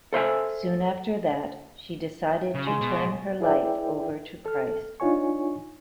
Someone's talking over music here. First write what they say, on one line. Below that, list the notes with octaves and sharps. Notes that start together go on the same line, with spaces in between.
Soon after that, she decided to "turn her life over to Christ".
A4 C5 E5 G#5
C#3
G#3
B2
E4 G#4 B4 D5 E5 G5
A4 F6
D4 D#4 F4 C#5 G#5 C#6